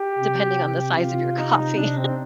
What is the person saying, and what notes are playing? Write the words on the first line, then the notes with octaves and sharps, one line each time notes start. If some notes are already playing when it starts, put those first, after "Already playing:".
depending on the size of your coffee.
Already playing: G4
C3
C3 F4
D#4
C3 D4
C4